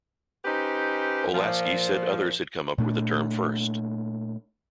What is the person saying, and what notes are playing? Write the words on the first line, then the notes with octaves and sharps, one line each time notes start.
Olasky said others had come up with the term first.
C#4 D#4 G4 B4 C5
A#2 F3
A#2 A3 D4